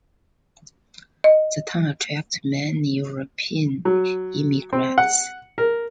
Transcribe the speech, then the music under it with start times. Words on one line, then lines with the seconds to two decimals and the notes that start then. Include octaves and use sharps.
The town attracted many European immigrants.
1.24 D#5
3.85 F#3
4.73 C4
4.98 F#5
5.58 A#4